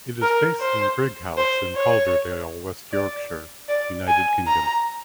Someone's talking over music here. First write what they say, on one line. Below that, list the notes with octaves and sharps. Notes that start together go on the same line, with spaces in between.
It is based in Brighouse, in Calderdale, West Yorkshire, United Kingdom.
A#4
C5
C5
C#5
D5
D5
G#5
A#5